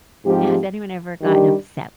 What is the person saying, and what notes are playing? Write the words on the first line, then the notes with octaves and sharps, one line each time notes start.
Now, has anyone ever gotten upset
G#2 F3 C4 G4
D#3 G3 D4 G4